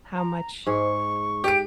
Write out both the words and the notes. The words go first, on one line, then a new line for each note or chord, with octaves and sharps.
How much
A#5
G#2 G#4 C#6
G4 D7